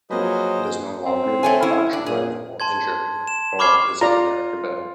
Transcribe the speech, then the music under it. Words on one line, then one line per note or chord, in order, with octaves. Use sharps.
It is no longer manufactured by Knoll in Germany, nor is a generic available.
F3 F#3 A#3 G#4 B4 C5 D#5
C4
A3 C#5 G#5
C#4 E4
D4
A#2 G#4
A5 C6 G#6
E7
B5 C#6 D6 F6 G#6 C7
F4 D5 A#5